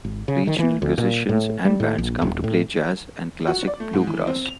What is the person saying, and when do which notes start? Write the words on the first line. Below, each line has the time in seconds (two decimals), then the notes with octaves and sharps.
Regional musicians and bands come to play jazz and classic bluegrass.
0.05 G#1
0.28 C#3
0.47 D#3
0.59 E3
0.82 D2
0.98 A#2
1.29 A2
1.65 G3
1.80 A2
1.98 A#1
2.22 D#1
2.44 A2
3.47 F#4
3.67 D5
3.80 A3
3.93 G#2
4.07 E3
4.27 C4
4.46 F7